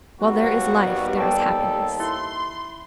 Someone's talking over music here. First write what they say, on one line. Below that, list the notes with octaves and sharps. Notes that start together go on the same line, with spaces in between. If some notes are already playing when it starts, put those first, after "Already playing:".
While there is life there is happiness.
D#2 G3 B3 F#4
A4 D5 G5
E4 C6